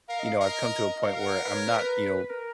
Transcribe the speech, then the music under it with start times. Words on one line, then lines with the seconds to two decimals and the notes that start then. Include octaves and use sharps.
you know, I've come to a point where I'm not, you know
0.08 A#4 F5
0.20 D#5
0.24 F5
0.40 A#4 D#5
1.04 A#4 F5
1.19 F#5
1.35 F5
1.43 B4
1.50 C#5
1.67 B4
2.30 A#4